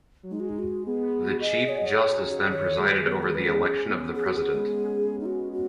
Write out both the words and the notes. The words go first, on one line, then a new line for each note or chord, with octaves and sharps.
The Chief Justice then presided over the election of the President.
F#3
G#3 D#4
F#4
D#4
F#4
B3 G#4
F#4
G#4 D#5
F#4 C#5
D#5
C#5
D#4
C#3
D#3 C#5
G#3 G#4
B4
G#4
B3
B4
G#4
C#4 B4
G#4
C#4
B3
G#4
F#4
B3 G#4
G#3
D#4
F#4
F#4